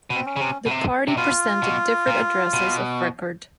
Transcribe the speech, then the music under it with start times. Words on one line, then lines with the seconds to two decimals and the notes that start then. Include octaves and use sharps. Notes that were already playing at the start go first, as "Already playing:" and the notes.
The party presented different addresses of record.
0.10 B2
0.15 C4
0.26 C#4
0.36 C#3
0.41 C3
0.66 B2
0.71 C3
1.08 C3
1.17 B2 F4
1.62 B2
2.07 A#2
2.53 B2